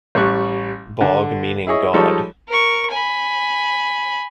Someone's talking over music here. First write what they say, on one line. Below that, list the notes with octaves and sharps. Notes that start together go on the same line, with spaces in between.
Bog meaning God.
A1 G3 C#6 F#6
D3
E4 G#4 C#5 D#5
F3 G3 G#3 D#4 A4 C#5
A#4 C#6
G#5 B5